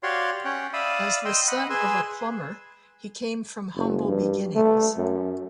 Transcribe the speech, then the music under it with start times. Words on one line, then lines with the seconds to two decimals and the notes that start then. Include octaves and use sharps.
As the son of a plumber, he came from humble beginnings.
0.03 F#4 G4 C#5 D5 F5 C6
0.45 C#4 F#5 G5
0.73 D5 E5 F5 B5 D#6
1.25 D#5 G5 C6 E6
1.48 D#5 F#5 B5
1.70 G#4 B4 G#5 C6 E6
3.75 F#1
4.08 G2
4.55 A3
4.97 F#2